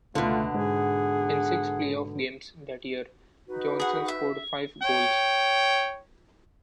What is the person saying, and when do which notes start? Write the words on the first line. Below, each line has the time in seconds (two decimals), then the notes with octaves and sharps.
In six playoff games that year, Johnson scored five goals.
0.15 C#2 B2 D3 A3 F4
0.54 G#2 G#4 F#5
3.47 D#4 F#4 B4
3.80 G#4 F#5
4.08 E5
4.82 C#5 G5